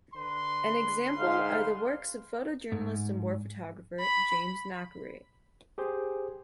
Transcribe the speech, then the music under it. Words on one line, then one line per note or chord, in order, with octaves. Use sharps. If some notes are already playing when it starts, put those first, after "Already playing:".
An example are the works of photojournalist and war photographer James Nachtwey.
D3 B4 C6
G#2 F5
G#2
B5
G4 G#4 C5